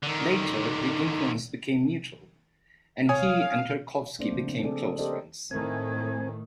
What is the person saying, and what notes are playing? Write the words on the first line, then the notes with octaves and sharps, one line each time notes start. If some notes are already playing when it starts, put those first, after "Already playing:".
Later the influence became mutual, and he and Tarkovsky became close friends.
D3 D#3
C#5 F5 G#5 D#6
A3 A#3 C4 D4 C5 D5
C#3 F3 C4
D4
C4 G#4 A4 D5
G4 A4 A#4 C5 D5 D#5
A2 D#3 A3 C4 G#5